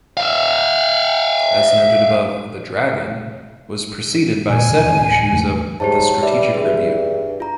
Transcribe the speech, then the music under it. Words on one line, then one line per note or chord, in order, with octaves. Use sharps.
As noted above "The Dragon" was preceded by seven issues of "The Strategic Review".
E5 F5
D1 A#2 G#5
D2 B2 D3
D1 D3
E2 A3
G#2 G4 C#5 A5
G3 B4 E5
G2 G#4 E5
F4 A#5